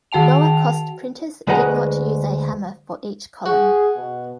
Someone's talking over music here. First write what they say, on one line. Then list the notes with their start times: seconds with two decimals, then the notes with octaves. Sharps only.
Lower-cost printers did not use a hammer for each column.
0.12 D#3 F#4 G5 A5 F7
1.47 D2 G#3 B4 D#5 F#5 A#5
3.46 F#4 G#4
3.96 B2